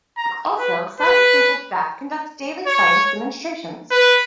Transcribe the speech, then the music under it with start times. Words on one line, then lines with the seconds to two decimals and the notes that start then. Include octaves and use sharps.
Also, Science Center staff conduct daily science demonstrations.
0.17 A#5
0.58 B4
1.00 B4
2.67 C#5
3.91 B4